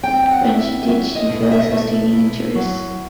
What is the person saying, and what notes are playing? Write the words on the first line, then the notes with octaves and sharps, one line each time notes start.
When she did, she fell, sustaining injuries.
C4 G5
G5
F#5
E4
E5
F#3 E5
D#5
B2
D#5
E5
D#5
A3 E5
E4
F#3